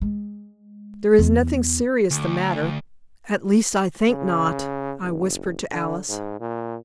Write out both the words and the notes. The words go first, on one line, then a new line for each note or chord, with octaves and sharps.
"There is nothing serious the matter--at least I think not," I whispered to Alice.
G#3
E2
D2
C#3
F#1
D3
G#2
A#2